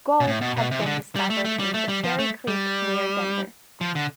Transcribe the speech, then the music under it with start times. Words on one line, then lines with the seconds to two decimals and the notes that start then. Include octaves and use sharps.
Gold, had been discovered in the Cherry Creek, near Denver.
0.20 B2
0.27 A2
0.41 B2
0.57 B2
0.71 C3
0.80 E3
0.86 D3
1.16 G3
1.30 A3
1.45 A3
1.60 G3
1.74 A3
1.88 G3
2.04 F3
2.19 A3
2.48 G3
3.81 F3
3.95 D3